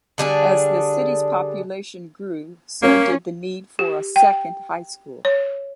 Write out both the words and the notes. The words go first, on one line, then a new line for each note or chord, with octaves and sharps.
As the city's population grew, so did the need for a second high school.
D3 G3 D4 G#4
A#3 C#4
G4
G5
C#5